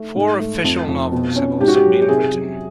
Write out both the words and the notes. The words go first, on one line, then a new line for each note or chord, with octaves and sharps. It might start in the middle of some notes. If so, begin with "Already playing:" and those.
Four official novels have also been written.
Already playing: A3
G#2
A3
F2
F2
B2
C#4
G#2 G4
F#4
G4
F#3
G4
C3 G#4
F#3